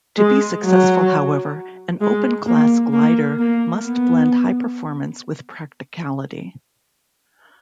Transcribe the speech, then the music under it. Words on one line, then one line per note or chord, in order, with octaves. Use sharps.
To be successful, however, an Open Class glider must blend high performance with practicality.
G#3
F#3
G#3
A#3
A#3
A#3
B3